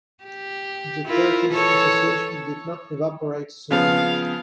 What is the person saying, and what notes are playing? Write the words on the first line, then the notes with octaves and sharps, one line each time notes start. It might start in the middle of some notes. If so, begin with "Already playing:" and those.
The Turkish association did not evaporate soon.
G4
E4 F4 A#4
E3 A4 C#5
C#3 F3 B3 F5